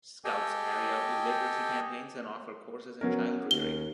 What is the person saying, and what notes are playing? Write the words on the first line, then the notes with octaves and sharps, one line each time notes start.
Scouts carry out literacy campaigns and offer courses in childrearing.
G4 A4 D#5 G5 G#5
F#3 B3 C#4 A#4
D#2 G7